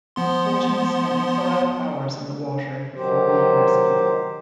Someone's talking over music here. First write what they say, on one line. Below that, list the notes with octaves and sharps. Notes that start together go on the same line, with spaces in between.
Fulton spent five hours in the water before being rescued.
F3 B3 C6
D#3 F#3 G4 C5